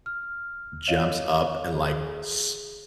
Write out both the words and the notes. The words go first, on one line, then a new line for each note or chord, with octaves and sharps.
jumps up and, like, s
F6
C#5 D#5 F5
G#4